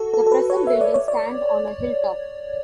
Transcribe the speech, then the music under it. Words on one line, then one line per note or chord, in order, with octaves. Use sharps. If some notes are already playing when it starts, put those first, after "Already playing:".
The present building stand on a hilltop.
Already playing: F#4 A4
A4
A4
B4
C#5
E5
D5
C#5
D5